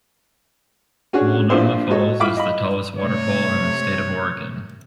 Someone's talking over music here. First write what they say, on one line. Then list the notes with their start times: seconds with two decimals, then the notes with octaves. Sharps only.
Multnomah Falls is the tallest waterfall in the state of Oregon.
1.13 C#4 D4 F#4 G#4 C#5 F#5
1.50 A#1 G2 A#2 C4 E4 C5
1.90 F#4 A4 C#5 D#5
2.20 E4 F4 F5 B5 D6
2.37 D#5 B5
2.98 C3 A3 C#5